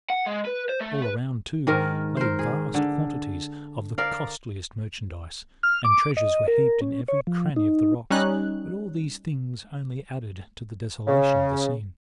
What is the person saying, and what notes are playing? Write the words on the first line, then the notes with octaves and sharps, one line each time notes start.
All around, too, lay vast quantities of the costliest merchandise, and treasures were heaped in every cranny of the rocks, but all these things only added to the desolation of the scene.
F#5
G#3
B4
C5
A3
B4
G#2 D#3 A#4
A#4 C5
G#4
D3
A#4 D5 F5
F6
D6
D#5
A#4
C#4
C#5
F3
D#4
G3 C#4 D#4 F#6
C#3